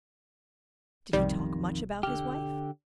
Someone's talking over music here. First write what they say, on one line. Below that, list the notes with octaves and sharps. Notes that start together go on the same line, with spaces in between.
"Did he talk much about his wife?"
B1 F2 C3 D#3 G3
B1 E2
D3 G4 F6